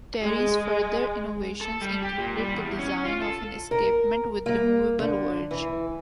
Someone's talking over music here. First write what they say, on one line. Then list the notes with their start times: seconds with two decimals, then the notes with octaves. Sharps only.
Terry's further innovations included the design of an escapement with removable verge.
0.21 G#3
1.61 A4
1.81 G3
2.02 G4
2.18 A#2
2.37 G3
2.55 E2
2.79 C#4
3.05 F4
3.22 A4
3.71 A#4
4.46 A#3
5.00 D3
5.51 E3